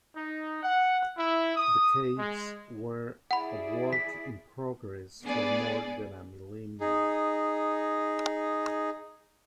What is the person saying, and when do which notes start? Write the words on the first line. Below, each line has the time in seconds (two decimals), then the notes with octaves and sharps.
The caves were a work in progress for more than a millennium.
0.15 D#4
0.62 F#5
1.17 E4
1.56 D#6
2.18 G#3
3.31 E4 G#4 D5 F#5 B5
3.93 B6
5.24 B3 D4 G#4 D5
6.81 D#4 G#4